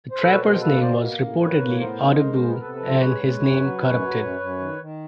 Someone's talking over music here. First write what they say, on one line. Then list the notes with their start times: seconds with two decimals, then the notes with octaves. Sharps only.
The trapper's name was reportedly Odebeau, and his name corrupted.
0.11 C5
0.21 B2 A4 B4
0.32 C#5
0.41 B2 A#4 C5
0.61 A#3 A4 B4
0.81 B2 C5 D5
1.01 A#3
1.21 A2
1.41 A#3 B4 C#5
1.60 A2
1.69 C#5
1.80 B3 A#4 C5
2.00 D#4
2.20 G#3
2.41 B3
2.52 A#4
2.60 C3 A4 B4
2.75 B4
2.80 F3
2.88 C5
3.00 G#3 B4 C#5
3.21 G#3
3.40 F#2
3.60 F#3
3.81 F#2
4.00 F#3
4.20 F#2
4.40 F#2
4.60 D#3
4.81 D#3